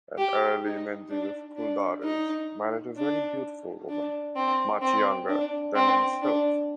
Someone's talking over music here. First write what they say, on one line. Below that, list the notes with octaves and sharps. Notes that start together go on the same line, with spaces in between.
An early Menzies of Culdares married a very beautiful woman much younger than himself.
G4
D#4
D4
D4
D#4
D4
D4
C4
C4
D4
C4
D4